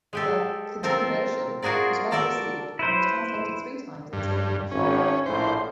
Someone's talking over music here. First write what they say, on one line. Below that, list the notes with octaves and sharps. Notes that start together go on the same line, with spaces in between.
The "Continuation" was well received and was translated three times into English.
G#3 G4 A4
C4 F4 A4 A#4
F4 F#4 G#4 A#4 D5
A4 A#4 D5 A5 A#5
E4 B4 C5
G2
G#1 C#4
A#1 A2 C5